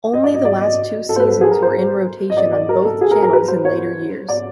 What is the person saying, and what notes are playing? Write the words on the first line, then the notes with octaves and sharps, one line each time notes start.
Only the last two seasons were in rotation on both channels in later years.
D#5
D5
D#5
D5
D#5
A4
C5
B4
A4
G#4
A#4
C5
D#5
D5
D5
A#4
A4
G#4
A#4
A#4
B4
C5
C#5
D5